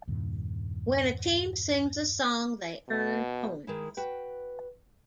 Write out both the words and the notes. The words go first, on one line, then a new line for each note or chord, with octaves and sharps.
When a team sings a song they earn points.
E2 G2 A#2 D#3
B2
D#3 G#3 E4
F#4 B4 G5